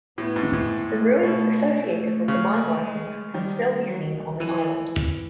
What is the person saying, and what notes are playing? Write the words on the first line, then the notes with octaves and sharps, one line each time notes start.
The ruins associated with the mineworkings can still be seen on the island.
A2 B3
G#2
A2
B2 A3
A3
C#3
G#3
D#3 G3
F#3
E3 F3